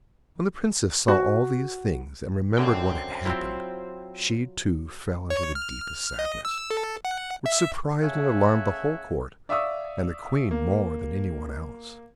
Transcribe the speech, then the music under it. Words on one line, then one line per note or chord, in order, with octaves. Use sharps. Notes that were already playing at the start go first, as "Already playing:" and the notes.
When the Princess saw all these things, and remembered what had happened, she, too, fell into the deepest sadness, which surprised and alarmed the whole Court, and the Queen more than anyone else.
F#4
F#2 D3 C5 G5
F#3 C4 E4 F4
C#5
F6
D#5
E6
A4
F#5
E5
C#3 A3 E5 F#5 G#5
D5 E5 F5 C#6 D#6 E6
A#3